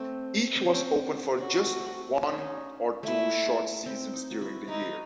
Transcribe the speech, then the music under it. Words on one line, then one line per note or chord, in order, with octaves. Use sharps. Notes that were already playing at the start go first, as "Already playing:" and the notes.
Each was open for just one or two short seasons during the year.
Already playing: A3 C4
C4
C#4
C4
C#4 F#4
C4
A3
C4
C#4
D#4
C#4
A3 E4
C4
D#4
F#4
E4
D#4 E4
F#4